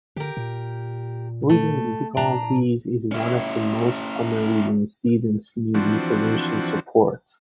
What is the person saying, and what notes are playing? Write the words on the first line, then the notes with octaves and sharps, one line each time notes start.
Reading difficulties is one of the most common reasons students need intervention support.
D3 G4 A#4
A#2
A3
A#2 D4 A#5
C#4 E4
E3 F3 C4 D4 F#4